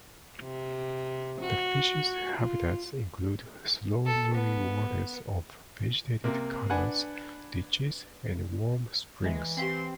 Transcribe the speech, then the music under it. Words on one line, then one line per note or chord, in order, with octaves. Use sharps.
The fish's habitats include slow-moving waters of vegetated canals, ditches, and warm springs.
C3
F#4
F4
A4
B3
C3 A#3
D4 B4 F#5 G#5 F#6
E3 G#3 E4 D#5 E5
C4 G4 F5 G5 C6